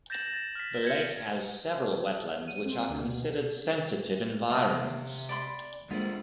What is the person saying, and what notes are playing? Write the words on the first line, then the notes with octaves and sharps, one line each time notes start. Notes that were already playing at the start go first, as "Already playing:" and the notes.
The lake has several wetlands which are considered sensitive environments.
G6 A6 A#6 E7 F#7
A6 E7
F6 B6
G6 G#6 C#7
D#7
C4
D2
B2
C3 E5 F5
D5 B5 C6
G#3 A#3 D4 F4 C5